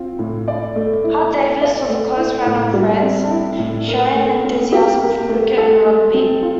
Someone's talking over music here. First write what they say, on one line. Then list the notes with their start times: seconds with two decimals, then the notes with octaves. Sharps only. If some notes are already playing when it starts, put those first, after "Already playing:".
Hart-Davis was a close friend of Ransome, sharing an enthusiasm for cricket and rugby.
Already playing: C4 F4
0.19 A2
0.48 D5
0.76 A3
1.04 E4
1.32 A4
1.61 D5
1.89 A3
2.17 E4
2.46 A2
2.73 G3
3.03 C4
3.31 E4
3.58 A2
3.88 A#4
4.15 A3
4.44 C4
4.72 G4
5.00 A#4
5.29 A3
5.58 A4
5.85 A3
6.14 C4
6.42 F4